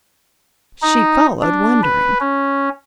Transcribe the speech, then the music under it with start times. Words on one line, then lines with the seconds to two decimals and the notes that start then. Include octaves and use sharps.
She followed, wondering.
0.82 D#4
1.42 D4
1.83 B4
2.20 C#4